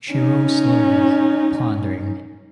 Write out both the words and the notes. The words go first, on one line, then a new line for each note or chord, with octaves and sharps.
She rose slowly, pondering.
C#4 D#4